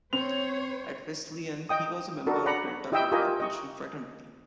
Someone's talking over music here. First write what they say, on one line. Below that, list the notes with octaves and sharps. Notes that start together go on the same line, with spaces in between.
At Wesleyan he was a member of Delta Kappa Epsilon fraternity.
C4 C5 C#5 F7
D#5 G5 D#6
D4 F#4 A4 A#4
D5 F#5 A#5 B5
E4 G4 D#5 E5 G5 E6
F4 G4 A#4 D#5 G#5
D#5 C#6